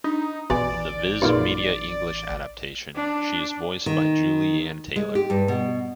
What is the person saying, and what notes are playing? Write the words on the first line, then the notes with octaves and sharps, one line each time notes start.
In the Viz Media English adaptation, she is voiced by Julie Ann Taylor.
D4 D#4
A1 B2 D5 G#5
F#2 A#2 D#4 G#4 B4
D4
D#3
G#3
G4
G2
B2